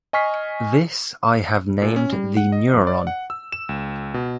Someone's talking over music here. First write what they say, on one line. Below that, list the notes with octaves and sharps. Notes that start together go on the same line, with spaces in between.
This I have named the neuron.
D#5 G#5 C#6 F6 B6 C7
A#2
C#4
G3
F#5
D#5
F2
D5
F#5
E6
E7
C#2
B2